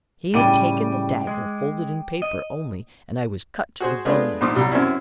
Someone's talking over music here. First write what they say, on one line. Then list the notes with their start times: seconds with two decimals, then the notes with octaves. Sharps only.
He had taken the dagger folded in paper only, and I was cut to the bone.
0.34 A2 C#3 G3 G5 D6 D#7
1.27 G#3
2.22 D#5
3.80 F#4 G#4 C5
4.05 G#3 A3 B3 D4 F4 G#4
4.41 A#1 G#2 C5 D6 D#6
4.55 C2 F#3 G3
4.71 F#2 C4 C#4 E4